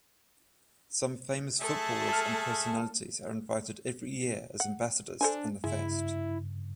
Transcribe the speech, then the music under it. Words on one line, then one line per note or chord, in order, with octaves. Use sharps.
Some famous footballers and personalities are invited every year as ambassadors in the fest.
A3 G#4 A4 E5
A5 F6
F#5
D4 A4 C5 G#5
G2 C#3 G#3 E4